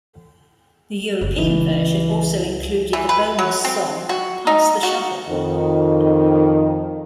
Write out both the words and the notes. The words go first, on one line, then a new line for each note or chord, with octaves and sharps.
The European version also included the bonus song "Pass the Shovel".
F#1
C#2 E3
E3
B4
F#3
C4
F#4
D#4
F#4
F2 D#3